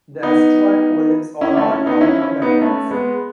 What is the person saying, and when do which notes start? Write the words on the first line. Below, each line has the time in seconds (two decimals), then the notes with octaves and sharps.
The asteroid polyps are all compound animals.
0.22 B3 D#4
1.41 C#4 E4
1.57 A3 C#4
1.71 C#4 E4
1.86 B3 D#4
2.01 C#4 E4
2.22 C#4 E4
2.42 B3 D#4
2.56 B3
2.62 A3 C#4
2.90 G#3 B3